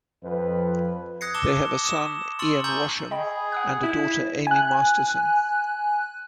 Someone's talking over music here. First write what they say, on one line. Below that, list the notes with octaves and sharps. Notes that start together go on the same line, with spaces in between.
They have a son, Ian Washam, and a daughter, Amy Masterson.
F2 F3 B4
D#6 F#6 G#6 A#6 C7 C#7
A5 D6 E6 E7 G7
C#6 D#6 E7
C6 C#6 E6 A6 C#7 F#7
G#5 A#5 C#6 E6 G6 F#7
G#4 D#5 G5 B5
F#5 D#6 F#6
E4
G#5 F#6